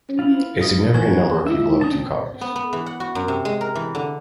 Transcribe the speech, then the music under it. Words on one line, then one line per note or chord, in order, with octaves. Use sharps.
A significant number of people have two cars.
E4 F4
D#5
E3 A#3 D#4 F#4 C5 G#5
C#2 E5
A#2 A5 D#6
B3
B3
E3
F#5
F#4
F#2
C3
G#3
A#4
E3
D3